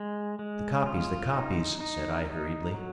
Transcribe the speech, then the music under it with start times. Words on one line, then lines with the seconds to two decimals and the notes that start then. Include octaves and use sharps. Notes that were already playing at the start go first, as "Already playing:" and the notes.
"The copies, the copies," said I hurriedly.
Already playing: G#3
0.39 G#3
0.86 F4
1.33 D#4
1.80 D#4
2.26 D#4
2.74 F#3